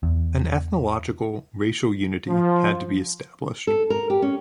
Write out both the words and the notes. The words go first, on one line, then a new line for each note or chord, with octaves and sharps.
An ethnological, racial unity had to be established.
E2
F3
A4
A#4
G4
C#4